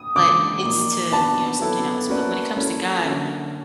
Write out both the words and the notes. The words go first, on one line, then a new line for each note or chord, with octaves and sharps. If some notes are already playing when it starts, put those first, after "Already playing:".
but it's to you know, something else, but when it comes to god,
Already playing: D#6
C#3 E3 G#3 D6
A#2 F3 A#3 D#4
B3 D4 F#4 A5
F#3 B3 E4 A4
A#3 C#4 F#4 B4 D5
A#3 C#4 E4 A4
D3 F#3 A#3 C#4